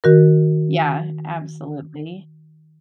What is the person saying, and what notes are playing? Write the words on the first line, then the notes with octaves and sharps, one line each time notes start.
Yeah, absolutely.
D#3 F#4 A#4